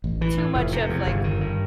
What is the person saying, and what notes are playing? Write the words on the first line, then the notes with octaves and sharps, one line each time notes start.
too much of, like,
A1
E3
A2
F1
C3
E2
G1
D#3
G2